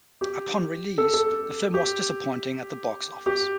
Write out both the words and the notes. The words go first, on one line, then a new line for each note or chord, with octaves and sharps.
Upon release, the film was disappointing at the box office.
G4
A4
A4
G4
G4